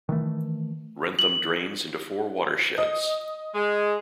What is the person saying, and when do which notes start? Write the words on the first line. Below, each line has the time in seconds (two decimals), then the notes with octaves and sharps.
Wrentham drains into four watersheds.
0.09 D#3 E3 A3
1.19 F#7
2.78 D#5
3.54 G#3